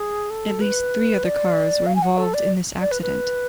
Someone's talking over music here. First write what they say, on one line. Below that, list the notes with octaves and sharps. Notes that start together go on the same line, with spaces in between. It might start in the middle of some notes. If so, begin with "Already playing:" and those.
At least three other cars were involved in this accident.
Already playing: G#4
A4
B4
D5
F5
G#5
F#5
A4
D5
D5
B4
B4